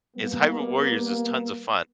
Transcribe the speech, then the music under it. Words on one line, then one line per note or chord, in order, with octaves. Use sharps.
is, Hyrule Warriors is tons of fun,
G3 A#3 B3